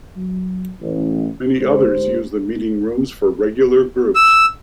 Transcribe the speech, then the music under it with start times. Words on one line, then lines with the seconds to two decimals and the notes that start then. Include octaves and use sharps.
Many others used the meeting rooms for regular groups.
0.17 F#3
0.81 A1
1.59 G#2 D3 G#3 D4 G4 C5
4.16 E6